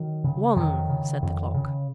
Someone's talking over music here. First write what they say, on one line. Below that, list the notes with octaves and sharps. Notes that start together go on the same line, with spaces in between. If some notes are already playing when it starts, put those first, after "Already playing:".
"One!" said the clock.
Already playing: D#3 F#3
C#3
F2 D#3 F#3
C#3
F2
C#3